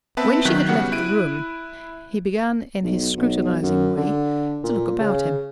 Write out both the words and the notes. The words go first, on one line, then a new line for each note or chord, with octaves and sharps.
When she had left the room, he began in his scrutinising way to look about him.
B3 C4 B4 E5 A5
D#3 F#3 F#6 G6 B6
C#3 G3 B3 F#4 F#5
E4 F#6 D7 D#7
B1
B1
F#2
D3
A#2
C#3